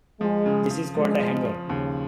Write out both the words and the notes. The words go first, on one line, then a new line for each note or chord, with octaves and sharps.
This is called a hanger.
F3 G#3
C#3
F3
F3 G#3
F3
F3
D#2 C#3